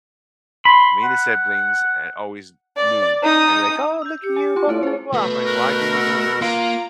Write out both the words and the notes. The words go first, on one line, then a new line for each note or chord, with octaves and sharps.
Me and the siblings and always nude, and they're like, "Oh, look at you, blah, blah, blah, blah." I'm like, "Why do you do this?
B5 C6
F#5
D5
D#4 D#6
E6 G6
G4 C#7
G#5
F4 C6
A3 E4 C#5
C#4 G#4 C5
B2 A3
A#4 F#6
F#5 E6
A#3 F4 A#5 D7